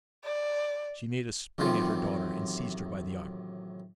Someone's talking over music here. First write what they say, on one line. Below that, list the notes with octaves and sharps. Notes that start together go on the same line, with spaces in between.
She made a spring at her daughter, and seized her by the arm.
D5
A1 F#2 C3 D#3 F4